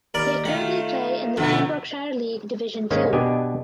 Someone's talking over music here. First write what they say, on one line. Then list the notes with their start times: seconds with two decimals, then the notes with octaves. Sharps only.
They currently play in the Pembrokeshire League Division Two.
0.14 D#2 A#4 D5 B5
0.45 D#3 A3 F4 F#5
1.37 F2 B2 D3 A3 B3
2.91 G#2 D#3 G#3 A#3 C#4
3.13 B2 B3 D4 G4 D#5 G#5